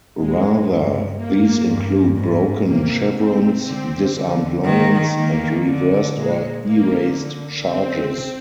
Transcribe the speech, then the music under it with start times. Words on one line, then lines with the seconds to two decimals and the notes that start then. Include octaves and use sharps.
Rather, these include broken chevrons, disarmed lions, and reversed or erased charges.
0.17 A#2 G#3
0.67 G2
1.17 A#3
1.66 G2
2.16 G#2
2.65 C3 A#3
3.16 C3 C4
3.65 D3 C4
4.16 D3
4.65 D#3 A#3
5.15 D#3 A#3
5.66 D3
6.15 A#2 G#3
6.65 D3 A#3
7.64 C4